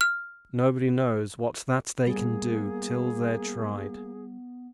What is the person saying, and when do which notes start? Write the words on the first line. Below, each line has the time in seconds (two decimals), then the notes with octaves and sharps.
"Nobody knows what that they can do till they're tried."
0.01 F6
2.07 G3 A#3 B3 G#4